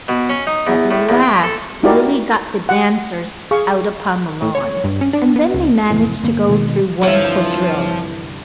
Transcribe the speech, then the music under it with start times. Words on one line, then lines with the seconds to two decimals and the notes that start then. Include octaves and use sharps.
At last Lily got the dancers out upon the lawn, and then they managed to go through one quadrille.
0.08 B2
0.29 C#4
0.47 D#4
0.67 E2
0.91 A2
1.09 E2
1.23 G5
1.44 A4
1.83 D#4 E4 F#4 G4 A#4 D5
2.69 G4 F#5
3.51 G#4 F5 C#6
4.42 A2
4.55 C#5
4.84 G2
5.01 C#4
5.13 D4
5.36 B3
5.54 C#2
5.90 F1 E2 A2
6.23 G1 A#3
6.48 B2 D#3 G3 G#3
7.03 C2 G2 D3 E3 F3 C#5 E5